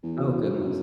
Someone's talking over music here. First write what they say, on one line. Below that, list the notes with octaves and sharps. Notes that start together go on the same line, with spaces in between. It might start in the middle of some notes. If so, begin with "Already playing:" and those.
Oh goodness.
E2 E4
F#4
E4
F#2 D#4
E4